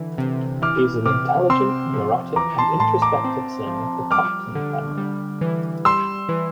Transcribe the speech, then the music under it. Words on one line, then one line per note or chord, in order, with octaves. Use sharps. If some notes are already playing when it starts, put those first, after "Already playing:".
He is an intelligent, neurotic, and introspective son of the Compson Family.
Already playing: D3 E3
C3
E3 D6 F6
C3 D6 F6
C4 C6 E6
F3
E3 A#5 D6
A5 C6
A2 A5 C6
A#5 D6
C4
F3
G3 D6 F6
D3
G3
E3
G3 C6 E6
E3